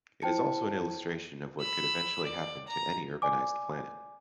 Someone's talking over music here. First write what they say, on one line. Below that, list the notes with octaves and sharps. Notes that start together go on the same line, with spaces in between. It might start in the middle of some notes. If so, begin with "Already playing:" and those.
It is also an illustration of what could eventually happen to any urbanized planet.
E4 C5 G5 A5 C#7
B5 E6
D5
A#5
D5 G#5 D6